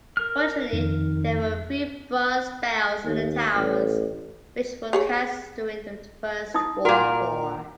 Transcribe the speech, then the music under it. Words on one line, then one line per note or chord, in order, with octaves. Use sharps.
Originally there were three bronze bells in the towers, which were cast during the First World War.
A#4 F6
F2 D#3
D#2
A1
G4 G#4 C#5
D#4 E4 D#6
A#2 F#4 A#4 F#5